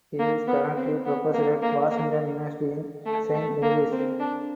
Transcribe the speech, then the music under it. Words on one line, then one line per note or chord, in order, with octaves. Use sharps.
He is currently Professor at Washington University in Saint Louis.
A#3
B3
C4
B3
A#3
A#3
A#3
A3
A3
A#3
C4
D4